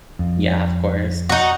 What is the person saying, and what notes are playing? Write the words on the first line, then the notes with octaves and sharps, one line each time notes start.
Yeah, of course.
F2
D#4 F#4